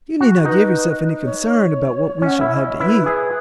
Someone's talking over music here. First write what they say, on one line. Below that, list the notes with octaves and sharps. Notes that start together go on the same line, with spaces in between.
You need not give yourself any concern about what we shall have to eat.
F#4
D#4 B4
C#5
C#4 F#5
E4 E5
D#5
C#5
E4 B4
G#4